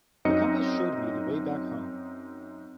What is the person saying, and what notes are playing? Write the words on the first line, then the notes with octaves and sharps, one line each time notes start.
The compass showed me the way back home.
F#2 C4 D#4 D#5 C#7